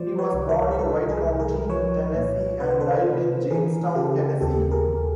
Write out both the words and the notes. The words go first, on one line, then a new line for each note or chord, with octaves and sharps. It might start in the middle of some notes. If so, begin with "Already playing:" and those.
He was born in White County, Tennessee and died in Jamestown, Tennessee.
Already playing: F3 C5 D5
B4 C#5
C2
A#4 C5
A#4
C2 A4 B4
G#4 A#4
C2
G#4 A#4
F3 B4 C#5
A#2
C3 B4
C5
A4 B4
C3
E3 G#4 A#4
C#3 G4 A4
D#2 G4 A4
G#4 A#4
D#2